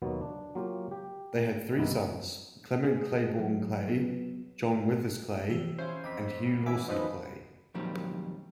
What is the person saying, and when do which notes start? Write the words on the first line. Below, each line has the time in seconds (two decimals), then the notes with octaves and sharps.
They had three sons: Clement Claiborne Clay, John Withers Clay, and Hugh Lawson Clay.
0.02 D#2 B2 F#3 A#3 B3
0.21 D4
0.55 F#3 A#3 F4 G4
0.91 G4 G5
1.77 C2 G2 D#3 A#3 B3 E4
2.84 G#4
3.39 F#3
3.88 B3
5.49 E3 F3 G4
5.78 C#4 E4 C5 F5
6.04 F2 D#5 D6 B6
6.45 G3
6.66 E3 C#4 E5 F#5 G#5 B5 D6
6.88 D#3 F3 D#4 B4
7.74 F2 A#2 D#3 F#3 G3 C4